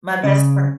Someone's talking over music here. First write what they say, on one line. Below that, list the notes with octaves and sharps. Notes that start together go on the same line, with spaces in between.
My best friend
C#3